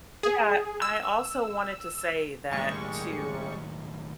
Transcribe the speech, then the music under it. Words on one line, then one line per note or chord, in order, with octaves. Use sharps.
Yeah. I also wanted to say that to
G#4
E6
D#2 A2 G3 G#3 C#6